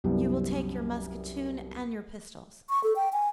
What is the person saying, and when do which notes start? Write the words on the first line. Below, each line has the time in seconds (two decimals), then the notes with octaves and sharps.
"You will take your musketoon and your pistols."
0.04 C2 F#2 G3 B3
2.69 C#6
2.84 A4
2.96 G5
3.13 G#5